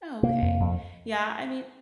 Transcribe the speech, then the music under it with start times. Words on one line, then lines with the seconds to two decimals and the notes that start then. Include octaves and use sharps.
Oh, okay, yeah, I mean
0.23 C3 A#3
0.42 F2
0.60 F2